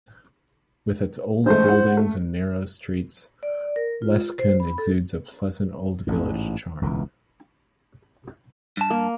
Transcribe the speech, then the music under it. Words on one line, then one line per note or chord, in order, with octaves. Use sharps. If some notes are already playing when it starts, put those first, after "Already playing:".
With its old buildings and narrow streets, Lescun exudes a pleasant old village charm.
A1 G#3 A3 C5
E4 F#5
A3
D5
A#4
F4
C5
B5
A4
A1 G#2
E1 C#2 D#3 E3
G2 A5
A#3